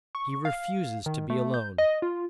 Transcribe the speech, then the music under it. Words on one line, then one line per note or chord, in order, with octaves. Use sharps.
He refuses to be alone.
C#6
F5
D#3
A3
G6
D#5
F4